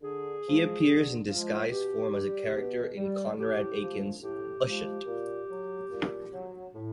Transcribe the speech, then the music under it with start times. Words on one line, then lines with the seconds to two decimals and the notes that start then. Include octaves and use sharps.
He appears in disguised form as a character in Conrad Aiken's "Ushant".
0.02 D3 G#4
0.45 F3 G#3
0.86 D3
1.28 F3 G#3
1.70 B2 G4
2.12 G3
2.55 B2
2.97 G3
3.38 A2 G4
3.81 F3 G#3
4.22 A2 G4
4.65 F3 G#3
5.06 A#2
5.49 F#3
5.91 A#2
6.33 F#3
6.75 A2